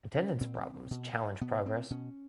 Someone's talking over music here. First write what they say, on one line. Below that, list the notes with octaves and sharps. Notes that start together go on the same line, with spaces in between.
Attendance problems challenge progress.
C#4
A#2 C4
B2
B2 B3
C4
B2 C#4